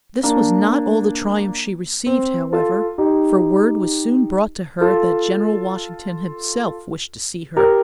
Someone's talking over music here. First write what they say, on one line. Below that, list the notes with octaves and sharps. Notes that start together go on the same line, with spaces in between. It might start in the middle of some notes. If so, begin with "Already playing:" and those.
This was not all the triumph she received, however, for word was soon brought to her that General Washington himself wished to see her.
A#3 D4
C4
F4 A4
D#4 G4
F4 A4
G4 A#4